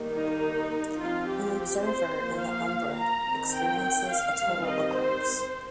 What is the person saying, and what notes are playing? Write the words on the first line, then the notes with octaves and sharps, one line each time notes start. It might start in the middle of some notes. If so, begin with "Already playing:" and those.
An observer in the umbra experiences a total eclipse.
Already playing: D#3 G3 A#3
D#4
F3 C4 F4
G4
C5
F3 A#3
F5
A#5
D#3 C4
G5
F5
D#3 G3 C4
D#5
C5